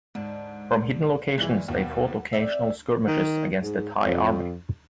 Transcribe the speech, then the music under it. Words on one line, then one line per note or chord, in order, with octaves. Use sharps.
From hidden locations they fought occasional skirmishes against the Thai Army.
G#2 D3 A5
G2 A#2 E3 G#3 A#3
D#2 B2 B3
C4 D5 E5
D#3
G#2
F2